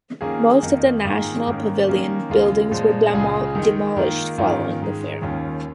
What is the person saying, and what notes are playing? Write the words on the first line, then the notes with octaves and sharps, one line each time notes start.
Most of the national pavilion buildings were demolished following the fair.
D#3 A#3 C#4 F4 G#4
F2 D#3 A#3 D#4
G#2 D#3 A#3 F4 G#4
G#2 D#3 A#3 C#4
D#3 A#3 C#4
D#2 C#3 G#3 F4
A#2 F3 G#3
C#2 C#3 G#3 F4 G#4
D#3 G#3 D#4
D#3 A#3 F4
G#2 D#3 C#4 F4
G#2 D#3 G#3
D#2 D#3 C#4 F4